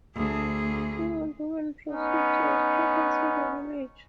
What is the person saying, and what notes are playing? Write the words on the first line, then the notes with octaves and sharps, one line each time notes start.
Two old women proceed to a spot outside the village.
D2 G#4
B3 C#4 D#4